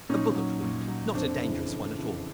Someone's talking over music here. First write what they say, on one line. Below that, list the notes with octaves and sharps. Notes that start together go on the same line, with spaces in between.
"A bullet wound--not a dangerous one at all."
A#2 C#4 D#4
F#3
A#2
F#3
F2 C4 D4
C#3 E3
F2
C#3 E3